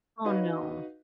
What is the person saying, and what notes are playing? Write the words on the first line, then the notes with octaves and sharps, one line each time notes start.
Oh, no.
D#4 F#4 B4 D#5 F5